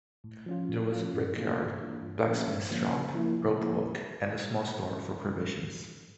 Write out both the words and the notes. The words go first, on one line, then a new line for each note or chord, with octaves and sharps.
There was a brickyard, blacksmith's shop, rope walk and small store for provisions.
A2
F3 C#4 F4
A2
F3 C#4 F4
G2
E3 A#3 D4 F4
G2
E3 A#3 D4 F4
G2
D3 F3 A#3 C#4
G2
D3 F3 A#3 C#4
C#3
F3 A#3 E4
C#3
F3 A#3 E4